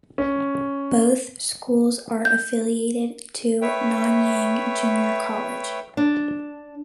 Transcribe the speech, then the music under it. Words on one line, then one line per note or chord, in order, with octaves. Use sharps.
Both schools are affiliated to Nanyang Junior College.
C#4
G6
A3 B4 C#5 E5 G5
D4